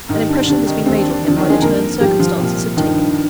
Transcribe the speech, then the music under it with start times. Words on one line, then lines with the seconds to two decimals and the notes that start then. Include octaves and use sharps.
An impression has been made on him by the turn circumstances have taken.
0.09 G#2 D#3 G3 D#4
0.29 D4
0.47 D2 C3 G3 D4
0.67 D#3 D#4
0.86 D#2 D3 G3 C4
0.98 D4
1.11 D4
1.24 D2 C3 F3 D4
1.36 D#3 D#4
1.49 G#3 G#4
1.62 F2 D3 F3 A#3 A#4
2.00 G#2 F3 G3 G4
2.19 F3 F4
2.39 C2 A#2 G3
2.76 G2 D#3 F3 D#4